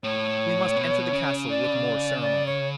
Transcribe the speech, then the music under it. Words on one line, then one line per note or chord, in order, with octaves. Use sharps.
We must enter the castle with more ceremony.
A2 C#5
B2
C#3
D5
D5
C#5